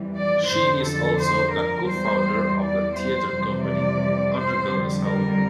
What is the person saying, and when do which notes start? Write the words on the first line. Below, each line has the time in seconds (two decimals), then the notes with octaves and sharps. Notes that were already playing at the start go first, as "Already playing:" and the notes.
She is also the co-founder of the theater company Underground Asylum.
Already playing: F2 E3 G3
0.15 D5
0.50 F2 D3 F3 C5
0.86 A4
1.20 C5
1.55 A#4
1.90 E2 E3 G3 C5
2.61 D5
2.96 C5
3.31 F2 C3 E3 G3
3.66 D5
4.36 C5
4.71 F2 D3 G3
5.06 A#4